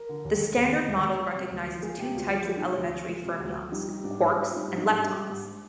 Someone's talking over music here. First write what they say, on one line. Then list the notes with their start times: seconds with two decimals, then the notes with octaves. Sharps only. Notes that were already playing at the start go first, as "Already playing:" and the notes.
The Standard Model recognizes two types of elementary fermions: quarks and leptons.
Already playing: A#4
0.09 D3
0.25 D#2
0.41 G#3
0.57 D#2
0.72 D3
0.88 D#2
1.04 G#3
1.20 G#3
1.35 C3
1.51 D2
1.67 F3
1.83 G#3 G#4
1.98 C3 G4
2.14 D2 F4
2.30 F3 F4
2.46 G#3 F4
2.57 C3 D#4
2.68 F4
2.78 D2
2.93 F3
3.09 G#3
3.25 C3
3.40 D2
3.57 F3
3.72 G3 D#4
3.88 G3 D#4
4.04 G#2 D4
4.19 G#2 D#4
4.35 G3 F4
4.51 G3
4.56 D#4
4.67 G#2
4.78 D#4
4.83 G#2
4.89 D#4
4.98 G3 D4
5.14 G3
5.30 G#2